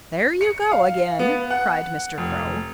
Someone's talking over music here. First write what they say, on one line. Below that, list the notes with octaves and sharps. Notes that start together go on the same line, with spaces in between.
"There you go again!" cried Mr. Crow.
C#7
F5
B3
F#5
F1